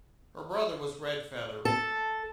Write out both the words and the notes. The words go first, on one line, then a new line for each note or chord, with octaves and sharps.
Her brother was Red Feather.
A4